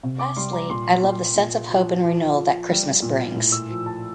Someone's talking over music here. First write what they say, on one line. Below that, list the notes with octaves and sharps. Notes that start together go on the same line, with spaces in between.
Lastly, I love the sense of hope and renewal that Christmas brings.
C3
D6
G3 C6
A#5
A#2 C6
A#2
A#2
F3
F3
F3
G3
A#2
A2
E6
F3
A5